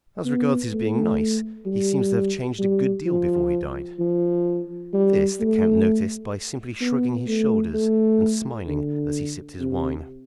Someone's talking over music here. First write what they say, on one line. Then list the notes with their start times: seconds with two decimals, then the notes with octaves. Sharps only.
"As regards his being nice, he seems to have changed a good deal before he died." This the count noticed by simply shrugging his shoulders and smiling as he sipped his wine.
0.25 B3
0.73 A3
1.66 G3
2.59 G3
3.06 F3
3.99 F3
4.93 G3
5.40 A3
6.80 B3
7.27 A3
7.74 A3
8.67 D3
9.60 C3